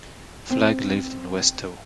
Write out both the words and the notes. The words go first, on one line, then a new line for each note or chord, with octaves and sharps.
Flagg lived in Westoe.
C4